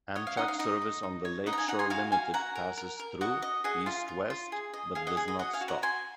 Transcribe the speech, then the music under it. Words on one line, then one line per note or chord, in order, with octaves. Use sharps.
Amtrak service on the "Lake Shore Limited" passes through, east-west, but does not stop.
C#5 D#5 F#5
F5
D#4 D#5 F#5
F5
D#4 D#5
D#4
D#4
C#5
D#4 D#5 F#5
A#5
F5 G#5
D#4 F#5 A#5
G#5 C6
F#4 F5 G#5
F#4 F5 G#5
F#4 F#5 A#5
A#4
A#4
A#4
F#4 D#5 F#5
D#5
G#4 D#5 F#5
F4 F5
F4
F4
G#4
D#5
G#4 F5
D#5 F#5
G#4
D#5
F#4 D#5 F#5
F5 G#5
F#4
F#5 A#5
F#4 G#5 C6